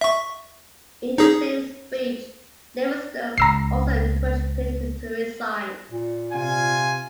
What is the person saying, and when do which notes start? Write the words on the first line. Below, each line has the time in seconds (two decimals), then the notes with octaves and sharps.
In the same speech, Livingston also encouraged Clinton to resign.
0.01 E5 C#6
1.18 D#4 G#4
3.38 C#2 A#5 E6 C7
5.90 A#2
6.33 C3 F4 G#5